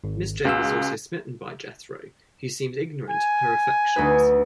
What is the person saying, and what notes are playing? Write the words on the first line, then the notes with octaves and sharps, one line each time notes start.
Miss Jane is also smitten by Jethro, who seems ignorant of her affections.
G#1
C#2 C#3 F#4 F5 E6
G#5
D2 D#4 B4